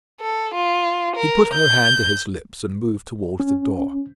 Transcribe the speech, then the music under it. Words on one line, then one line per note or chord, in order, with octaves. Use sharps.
He put her hand to his lips, and moved towards the door.
A4
F4
A#4
G6
C#4